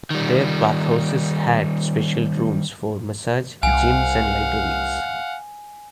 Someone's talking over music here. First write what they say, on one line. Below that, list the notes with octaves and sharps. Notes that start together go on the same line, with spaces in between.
Their bathhouses had special rooms for massage, gyms, and libraries.
D#3 G3
C2 F5 F#5 G#5